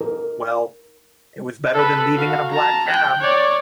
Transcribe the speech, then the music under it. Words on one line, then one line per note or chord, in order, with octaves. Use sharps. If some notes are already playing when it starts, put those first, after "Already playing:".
Well... it was better than leaving in a black cab.
A#4
A4 B4
F#4 F5
A5 A#5
G5 F#6
C#5 D5